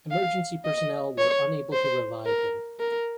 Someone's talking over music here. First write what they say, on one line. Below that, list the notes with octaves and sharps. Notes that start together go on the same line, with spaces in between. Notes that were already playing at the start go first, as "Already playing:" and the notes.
Emergency personnel were unable to revive him.
F5
D#5
C#5
C5
A#4
A#4